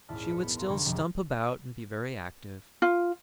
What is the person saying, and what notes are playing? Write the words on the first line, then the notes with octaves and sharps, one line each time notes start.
She would still stump about and be very active.
D#1 G#1 E4 D5 A5 F6
B4 C#7
B3
F#4 F5 A#5 C6
F1 D3 D4 G5 C#6 G#6
F1 A#1 C#4 F4 G5 D6
F4